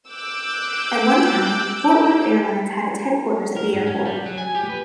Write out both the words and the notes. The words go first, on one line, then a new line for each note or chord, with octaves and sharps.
At one time Fort Worth Airlines had its headquarters at the airport.
D6 E6 F#6 G6 D7
A#4
G#2
C#4
G3
F#3
G#5
G4
B4